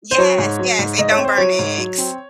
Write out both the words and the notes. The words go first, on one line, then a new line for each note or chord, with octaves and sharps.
Yes, yes, and don't burn the eggs.
C5
F#3 C#5
G#2
F#3
G#2
G#2 D#5
C#5
C4
C5
F#3 C#5
G#2
F#3
C4